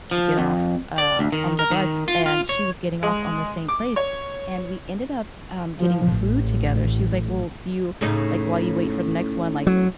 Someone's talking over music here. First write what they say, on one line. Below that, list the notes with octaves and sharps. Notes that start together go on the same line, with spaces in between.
to get off, uh, on the bus, and she was getting off on the same place, and we ended up, um, getting food together, she was like, "Well, do you Like, while you wait for the next one, like,
F3
F2
D5
D2
D#3
A#4
D#3
F4
F4
C#5
G#3
D6
C#5
F3
A1
A2 C#3 D#4
F#3